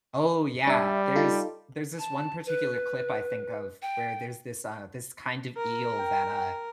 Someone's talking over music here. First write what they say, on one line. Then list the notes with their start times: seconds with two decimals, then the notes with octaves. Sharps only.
Oh, yeah. There's there's this one particular clip I think of where there's this, uh this kind of eel that, uh
0.67 G3 D4 E5
1.16 D#4 F4 A4
1.99 A5
2.46 B4
3.82 G5
5.57 A#4
5.98 G5